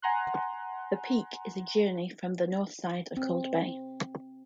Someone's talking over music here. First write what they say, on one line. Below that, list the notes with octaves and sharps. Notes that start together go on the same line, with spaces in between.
The peak is a journey from the north side of Cold Bay.
F#5 G#5 A#5 C6 F#6
C4